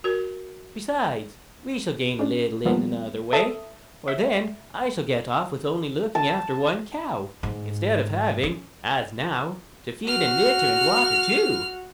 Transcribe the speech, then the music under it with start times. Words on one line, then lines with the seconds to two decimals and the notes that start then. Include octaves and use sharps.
Besides, we shall gain a little in another way, for then I shall get off with only looking after one cow, instead of having, as now, to feed and litter and water two.'
0.04 F#4 A#4
2.19 C#4 D4
2.65 D#3 F3 G3 A#3 B3
3.33 A4 E5 A5 D#6
4.08 E5
6.15 A5
7.43 G#2
8.43 C#4
10.07 F#4 F6